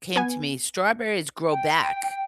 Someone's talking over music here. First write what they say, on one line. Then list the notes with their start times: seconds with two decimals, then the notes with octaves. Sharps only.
came to me, strawberries grow back,
0.16 B3 G#5
1.49 G5